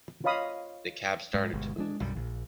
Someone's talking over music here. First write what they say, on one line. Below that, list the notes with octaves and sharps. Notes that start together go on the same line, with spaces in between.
The cab started to move.
F4 C#5 D#5 F5 B5 D#6
G#2 G#3
G1 B2 G#3
G#3 D4
B1 F#2 G3
A#1 A#2